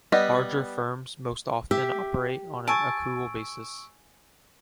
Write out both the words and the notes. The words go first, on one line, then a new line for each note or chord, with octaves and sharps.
Larger firms most often operate on an accrual basis.
G3 B3 D#5
G4 E5
G#5 A5 C#6 E6 D7